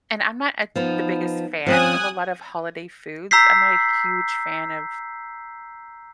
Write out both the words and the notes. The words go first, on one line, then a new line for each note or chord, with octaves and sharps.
and I'm not, e the biggest fan of a lot of holiday foods. I'm not a huge fan of
F3 B3 D#4
F3 C4 C#4 G#5 D#6 F#6
A#5 E6 G6 B6 C7